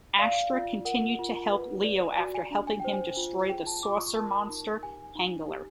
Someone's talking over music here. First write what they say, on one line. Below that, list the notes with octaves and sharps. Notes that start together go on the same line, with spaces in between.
Astra continued to help Leo after helping him destroy the Saucer Monster, Hangler.
D5 F5
F4
A#4 F#5
F4
B4
D5
F#4 G#5
G#5
D4
G#5
C5 G5
G#5
F4
G#4 G5
A5
F4 D6
C#6
A#4 A5
D#4
G4 G#5
D#4
G4